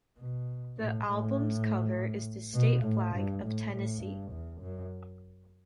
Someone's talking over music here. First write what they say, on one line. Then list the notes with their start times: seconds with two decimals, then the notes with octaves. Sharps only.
The album's cover is the state flag of Tennessee.
0.18 B2
0.78 A2
1.06 A2
2.54 B2
2.84 A2
3.13 G2
3.44 A2
3.73 A2
4.02 G2
4.32 E2
4.61 F#2